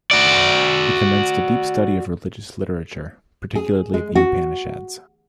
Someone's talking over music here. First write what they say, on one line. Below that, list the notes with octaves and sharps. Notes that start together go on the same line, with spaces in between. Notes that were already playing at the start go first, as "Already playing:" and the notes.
He commenced a deep study of religious literature, particularly the Upanishads.
F#4 D5
G#4
G#3
F#4